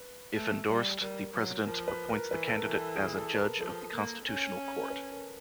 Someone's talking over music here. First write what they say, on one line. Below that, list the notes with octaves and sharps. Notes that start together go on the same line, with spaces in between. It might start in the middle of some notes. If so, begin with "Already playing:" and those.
If endorsed, the President appoints the candidate as a judge of the Constitutional Court.
Already playing: B4
A3
G3
G3 A#4
F#3
F3 A#4
B4
A#4
E3 B4
A4
A#4
E3
A4
G#4
A4
B4
A#4
F3 A4
A#3
C#4
B4
A#4